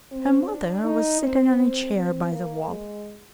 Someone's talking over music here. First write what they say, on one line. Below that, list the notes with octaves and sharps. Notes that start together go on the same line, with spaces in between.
Her mother was sitting on a chair by the wall.
C4
D4
D#4
C4
C4
C4
A#3
G#3